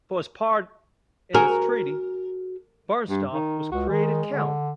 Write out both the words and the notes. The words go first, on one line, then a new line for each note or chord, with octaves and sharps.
For his part in this treaty Bernstorff was created count.
F#4 G#4 A#4 G#5
G2
D#3
C#2 F#4
D#3 G#3
D3